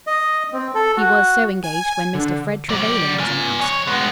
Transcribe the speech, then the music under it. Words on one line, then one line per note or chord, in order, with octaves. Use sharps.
He was so engaged when Mr. Fred Trevelyan was announced.
D#5
C4
A4
F#4
G#5
D3
F#3 D5
D5 G#5
F2 C#5
G#3 B3